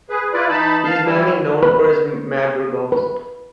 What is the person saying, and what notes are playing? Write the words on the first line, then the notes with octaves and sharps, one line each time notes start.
He is mainly known for his madrigals.
G#4 B4
E4 F4 B4 D5
E3 D#4 A5 B5
F5 A5
E3 G3 E4
B4
B4